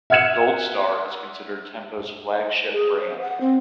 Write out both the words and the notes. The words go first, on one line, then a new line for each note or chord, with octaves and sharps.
Goldstar is considered Tempo's "flagship brand".
E5 F#5 F6 G#6 C#7 E7
G#4
C5
F#5
C4